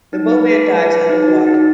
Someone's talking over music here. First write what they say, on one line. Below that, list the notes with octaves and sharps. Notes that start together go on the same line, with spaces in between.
The boatman dives under the water.
D#4
B4
G#4
B4
G#4
D#4
F#4
D#4